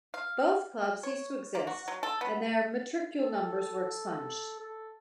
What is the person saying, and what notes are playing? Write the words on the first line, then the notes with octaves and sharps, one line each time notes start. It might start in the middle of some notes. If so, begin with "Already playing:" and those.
Both clubs ceased to exist and their matricule numbers were expunged.
F5
C#5
A#3
F#4
F#3
A4
B3
A4
A4